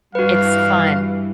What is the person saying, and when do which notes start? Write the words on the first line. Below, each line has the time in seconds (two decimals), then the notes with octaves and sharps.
it's fun.
0.15 G2 E3 F#4 B4 F5